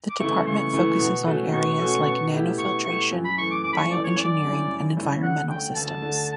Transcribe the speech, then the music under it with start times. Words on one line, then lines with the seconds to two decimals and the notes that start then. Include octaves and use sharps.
The department focuses on areas like Nanofiltration, Bioengineering and Environmental systems.
0.10 D6
0.20 C#3 E3 A3 E4 C#6
0.47 C#2 C#6
0.73 C#3 E3 A3 E4
0.99 B2
1.26 A3 C#4 F#4 A4
1.53 B2 C#6
1.78 A3 C#4 F#4 A4
2.05 B2
2.32 A3 E4 G4
2.58 B2 C#6
2.84 A3 E4 G4 C#6
3.11 F#2
3.24 B5
3.38 E3 A3 C#6
3.51 D6
3.64 F#2 D6
3.73 B5
3.77 C#6
3.91 E3 A3 D5
4.04 C#5
4.17 F#2 D5
4.43 C#3 G3 C#4 E4
4.70 F#2
4.97 C#3 G3 C#4 E4
5.23 D2 F#5
5.49 D3 A3 G5
5.75 D2 A5
6.02 D3 A3